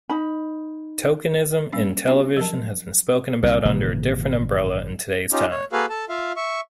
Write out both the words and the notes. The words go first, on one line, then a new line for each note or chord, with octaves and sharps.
Tokenism in television has been spoken about under a different umbrella in today's time.
D#4 B5
G3 A#3 C#4 D4
B3 C#4 D4 F#4 G4
F3 F#3 A#4 A5
C2
G#1 A#2 C#3 E3
C#4 D#4 F4 G4
C#5
A#3 F#4 G#4 A4 B4 F5
A4 A5
F4 E5 F5
E5 C#6